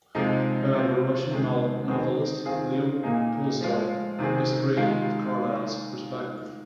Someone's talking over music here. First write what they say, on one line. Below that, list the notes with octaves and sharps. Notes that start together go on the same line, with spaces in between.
However, Russian novelist Leo Tolstoy disagreed with Carlyle's perspective.
C3 F3 G#3 D#4
C3 F3 C4
C3 D#3 G#3
D#3 C4 G#4
D#3 C4 F4 G#4
A#2 A#3 D#4 G#4
F3 G#3 F4
C3 D#3 C4 G#4
D#3 G#3 F4